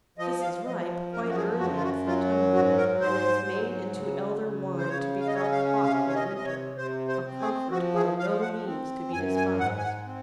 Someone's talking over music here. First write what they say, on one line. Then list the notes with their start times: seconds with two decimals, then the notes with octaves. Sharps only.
This is ripe quite early in September, and is made into Elder wine, to be drunk hot in winter, a comfort by no means to be despised.
0.18 F3 D#5
0.42 F5
0.66 F3 D#5
1.13 F#2 A#4
1.29 F#4
1.36 G#4
1.59 F#2 F#4
1.75 F4
1.83 F#4
2.06 F#3 F4
2.53 G#2 F#4
2.77 A#4
3.00 G#2 C5
3.48 F#3
3.95 C#3
4.42 C#3
4.77 C5
4.89 C#3 C#5
5.20 F5
5.27 D#5
5.34 C#4 C#5
5.42 D#5
5.52 F5
5.83 C3 F5
6.08 C#5
6.14 D#5
6.30 C3 D#5
6.46 C#5
6.77 C3 C5
7.08 C5
7.24 C4
7.40 G#4
7.71 F3 F#4
7.94 G#4
8.18 F3 F5
8.42 F#5
8.65 C4
9.12 F#2 G#5
9.36 G#5
9.59 G#2 F#5
9.78 G#5
9.82 F#5
10.06 C4